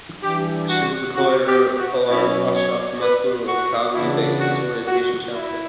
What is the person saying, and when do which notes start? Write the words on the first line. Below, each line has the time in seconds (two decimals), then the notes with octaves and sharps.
She was the co-editor, along with Ashok Mathur, of Calgary-based DisOrientation Chapbooks.
0.23 E3 G3 D4 G4
0.70 F#4
1.16 F#4
1.47 G4
1.77 F#4
2.08 B2 F#3 C#4 E4
2.55 C#5
3.01 B4
3.48 F#4
3.94 C#3 E3 B3 D4 E4
4.41 F#4
4.87 F#4
5.34 E4